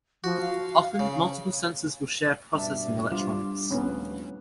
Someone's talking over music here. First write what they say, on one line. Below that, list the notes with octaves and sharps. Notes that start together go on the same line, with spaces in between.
Often, multiple sensors will share processing electronics.
F3 F#4
F5
C#3
G2 B2 D4 E5
G3 D4 F4
D#1 F3 A3 B3 C#4